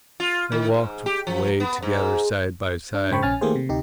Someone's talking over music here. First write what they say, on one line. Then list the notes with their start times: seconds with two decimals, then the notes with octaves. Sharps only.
They walked away together, side by side.
0.20 F4
0.52 D#3
0.74 G#2
1.06 G4
1.27 F3
1.60 B3
1.82 G#2
2.94 D4
3.11 G#2 C#3 C5 G5 B5 C#6
3.23 A#1 C#4 G#5 F6 A6
3.41 D#3 A3 A#3 G4 G#4 C5
3.55 C3
3.69 D2 C3 D#4 G4